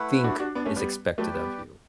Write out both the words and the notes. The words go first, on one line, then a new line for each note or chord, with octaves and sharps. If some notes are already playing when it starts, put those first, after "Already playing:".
think is expected of you.
Already playing: A3 E4 B4 F#5
D4 F#4
D4 F#4
B3 D4
A3 C#4
G3 B3
F#3 A3 G4 B4 D5 G5
G3 B3